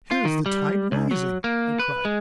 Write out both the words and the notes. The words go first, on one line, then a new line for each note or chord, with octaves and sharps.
"Here is the tide rising," I cried.
F4
D#3
G3
C#2
F#3
A#3
B4
G#3